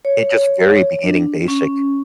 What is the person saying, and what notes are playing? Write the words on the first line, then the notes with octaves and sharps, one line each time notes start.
it just very beginning basic
C#5
D4
C#4